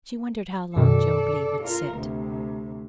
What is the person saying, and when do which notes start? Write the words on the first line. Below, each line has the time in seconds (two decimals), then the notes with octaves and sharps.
She wondered how long Job Legh would sit.
0.76 F#2 B2 D#3 A4 D5
1.63 F4 A#4
1.95 D2 C3